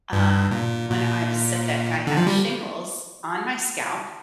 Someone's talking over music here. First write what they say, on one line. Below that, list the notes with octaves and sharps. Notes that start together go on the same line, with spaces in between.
um, when I was sick. I had shingles on my scalp,
G2
A#2
A#2
D3
F3
G3